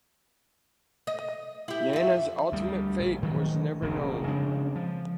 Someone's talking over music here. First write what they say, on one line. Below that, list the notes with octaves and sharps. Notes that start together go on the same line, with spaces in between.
Nana's ultimate fate was never known.
D#5
E4 G4
F2 E5
D2 G3
A#1
D#3 F#3 G#3 A3
E1 A#1 F#2 C#3
C#3 G#3 C4 D4
F3